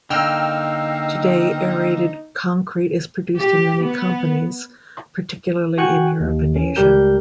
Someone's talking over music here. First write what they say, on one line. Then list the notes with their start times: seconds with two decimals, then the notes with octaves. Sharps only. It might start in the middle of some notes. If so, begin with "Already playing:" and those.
Today aerated concrete is produced in many companies, particularly in Europe and Asia.
0.10 D3 A#3 D#4 G5 E6 F6
3.40 G4
3.85 B3
5.78 F#4 G5 G#5 C#6 F#6
6.20 D#2
6.56 C#4
6.76 C#2 G3 G4 A#4 G6